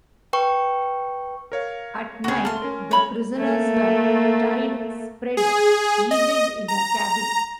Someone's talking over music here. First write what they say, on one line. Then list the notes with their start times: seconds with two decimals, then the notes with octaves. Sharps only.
At night, the prisoners were tied spread-eagled in a cabin.
0.33 B4 G5 C#6
1.52 A#4 C#5 F5
2.24 D2 C#3 F#4 G#4
2.45 A3 A5 C6 F6
2.62 C#4 A#4
2.91 C#5 B5
3.37 A3 A#3
5.37 G#4
6.11 D#5
6.68 A#5